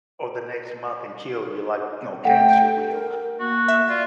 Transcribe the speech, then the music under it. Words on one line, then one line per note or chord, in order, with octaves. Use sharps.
or the next month and kill you like, you know, cancer will.
A3 F#5 G5
A#4
A#3 F#4
E5
F4 D5